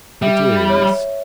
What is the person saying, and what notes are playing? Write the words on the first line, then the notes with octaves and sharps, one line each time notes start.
It is.
G3 E5
C#5